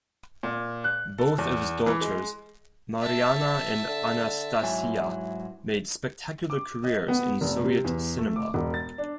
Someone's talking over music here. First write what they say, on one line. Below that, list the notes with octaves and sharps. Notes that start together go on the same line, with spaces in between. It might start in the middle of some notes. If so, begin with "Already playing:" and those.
Both of his daughters, Marianna and Anastasiya, made spectacular careers in Soviet cinema.
A#2
F#6
A4
E2
E3
G#3
E5 A5
D3
G#2 F#3 E4 G#5
D6
D#5
B3
F1
C3
E2
A3
D6
E1
A6
D4